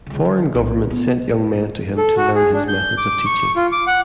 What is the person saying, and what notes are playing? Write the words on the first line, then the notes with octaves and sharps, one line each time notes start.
Foreign governments sent young men to him to learn his methods of teaching.
C#2 D3
D3 D4
B1 A#2
B3
A4
F#4
G#4
D4
G6
D6
C#6
F4
D6
F#5